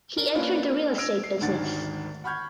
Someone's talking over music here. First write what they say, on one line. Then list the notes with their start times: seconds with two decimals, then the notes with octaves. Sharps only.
He entered the real estate business.
0.17 D4 A#4
0.35 A#3 C#4 D4 F4 B4
0.98 E6 G#6 A#6 D7 F7
1.24 C7
1.41 G#1 D2 D#3 F#5 A6
2.24 F#5 B5 C#6 F6 G6 G#6